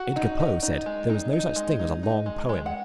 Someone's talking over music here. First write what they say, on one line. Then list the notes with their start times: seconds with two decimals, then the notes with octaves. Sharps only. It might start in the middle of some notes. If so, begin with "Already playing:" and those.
Edgar Poe said there was no such thing as a long poem.
Already playing: F#4 F#5
0.16 D#4
0.40 D#4
0.63 D#4
0.86 G#3
1.10 D#4
1.33 D#4
1.56 G#3
1.79 D#4
2.03 D#4
2.26 G#3
2.49 G#3
2.66 F#5